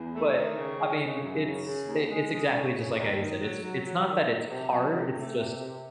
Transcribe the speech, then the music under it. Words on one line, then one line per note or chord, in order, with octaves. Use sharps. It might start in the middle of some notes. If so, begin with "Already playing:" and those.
But, I mean, it's i it's exactly just like how you said, it's it's not that it's hard, it's just
Already playing: E2
A3
D#3
C#3
G#3
C#3
F#2
C#3
C#3
D#2
G#3
G#3
C#3
C#3
D#2
D#3
F#3
F#3
F#3
D#3
F#3
C3
F#3
C3
A3
C3
C3